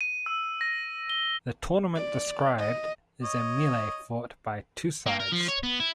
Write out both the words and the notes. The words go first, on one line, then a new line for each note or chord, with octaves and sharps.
The tournament described is a melee fought by two sides.
D#7
E6
A#6
G7
D5
D#5
C#5 D#5
A#3
A#4
F3
C#5
B3
E4